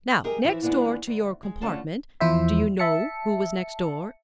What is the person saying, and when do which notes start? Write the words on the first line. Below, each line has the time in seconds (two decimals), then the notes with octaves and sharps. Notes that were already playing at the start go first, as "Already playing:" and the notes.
Now next door to your compartment--do you know who was next door?
0.24 G4 G#4 A#4 D#5
0.44 E3 F3 E4
0.63 D#2 G#3 B3 D4 F4
1.07 D2
1.43 G#3
1.61 D3 A3 C#4 F4 A5
2.20 E2 F3 E4 C5 E5
2.79 E5 A5 C#7